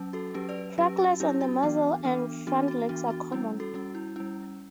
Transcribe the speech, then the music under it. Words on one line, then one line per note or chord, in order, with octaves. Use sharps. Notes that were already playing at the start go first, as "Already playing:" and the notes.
Freckles on the muzzle and front legs are common.
Already playing: F#3 C#4
F#4 A4
F#3 C#4 G4 B4
B4 D5
F#3 C#4 G4 B4
F#4
F#3 C#4 E4 G4
F#4
E3 B3 D4
E3 B3 D4
E3 B3 D4 F#4
F#4
E3 B3 D4 F#4
F#4
G3 C#4 E4
F#4 A4
G3 C#4 F#4
E4
G3 C#4 E4